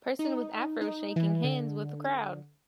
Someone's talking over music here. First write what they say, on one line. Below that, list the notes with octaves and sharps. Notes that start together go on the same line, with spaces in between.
Person with afro shaking hands with crowd.
D#4
D#4
E3
D3